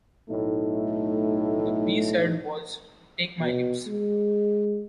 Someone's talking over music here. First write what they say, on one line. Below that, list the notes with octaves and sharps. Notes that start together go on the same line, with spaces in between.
The B-side was "Take My Lips".
B1 A2 A3 D#4
B2
G#3